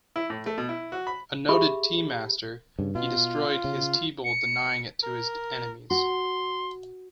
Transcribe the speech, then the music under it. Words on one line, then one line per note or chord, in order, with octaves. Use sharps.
A noted tea master, he destroyed his tea bowl denying it to his enemies.
E4
A2
A3
B2
E4
F#4
B5
G4 G#4 E5 B5
G2 C#3
B2 F4
C#3
C#7
A#4
F#4 C6